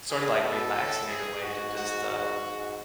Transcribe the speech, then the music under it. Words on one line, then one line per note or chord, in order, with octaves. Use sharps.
sorta, like relaxing in a way to just, uh
G#4
B2 A4
A2
G#4
G#2 F#4
F#4
G#2 F#4
G#2